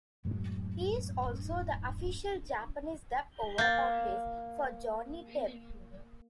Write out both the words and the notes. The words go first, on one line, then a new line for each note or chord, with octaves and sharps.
He is also the official Japanese dub-over artist for Johnny Depp.
F#2 A2 F#3 G#3
A#3 G6 A6